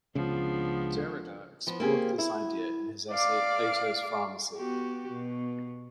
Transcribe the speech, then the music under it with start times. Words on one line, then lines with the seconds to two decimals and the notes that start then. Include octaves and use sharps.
Derrida explored this idea in his essay "Plato's Pharmacy".
0.15 C#2 C#3 F3 B3 D4
1.67 F3 B3
1.80 A#3 C4 F4 G4 G#4
2.18 E4
3.11 D5 F5 D6
4.57 B3 F#4 G4
5.11 B2